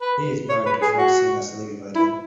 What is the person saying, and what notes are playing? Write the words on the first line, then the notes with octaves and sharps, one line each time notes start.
He is married to French singer Sylvie Vartan.
B4
C#5
B4
G#4
F#4
E4